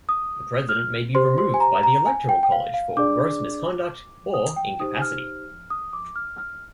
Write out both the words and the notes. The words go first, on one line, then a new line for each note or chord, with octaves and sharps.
The President may be removed by the electoral college for gross misconduct or incapacity.
D#6
F6
G4 C5 C6
C6
G#5
A#5
A#5
G#5
G5
G5
F5
F5
D4 G#4 D5 D6
D#6
G5
D#4 G4 C5 D#6
F6
D#6
D6
F6
F6